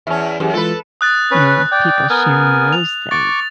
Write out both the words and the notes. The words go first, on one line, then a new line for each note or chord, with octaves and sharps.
you know, with people sharing those things.
E2 C#4 E5 A5
F#2 E3 G4 G#4
E3 G#3 F4 A4 B4
D#6 F#6 A6
C#4 B4
D5 G5
B3 A#4 G#5
F7
C#6 D6 A6